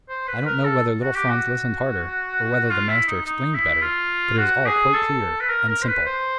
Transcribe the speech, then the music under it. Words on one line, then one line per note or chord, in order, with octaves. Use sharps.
I don't know whether little Franz listened harder, or whether the master explained better; but it was all quite clear, and simple.
C5
B4
A#4
A4
F#4
G4
F#4
F4
E4
D#4
D#4
E4
F4
F#4
G#4
A4
B4
A#4
A#4
C5
B4
C5